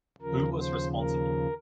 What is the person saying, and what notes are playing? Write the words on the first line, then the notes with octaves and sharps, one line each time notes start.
Who was responsible?
D#2 C#3 F3 A#4
C5
A#4